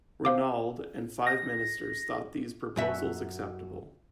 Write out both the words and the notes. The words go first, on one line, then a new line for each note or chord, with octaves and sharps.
Reynaud and five ministers thought these proposals acceptable.
C5 F5 D6
A#6
F#2 F#4 E5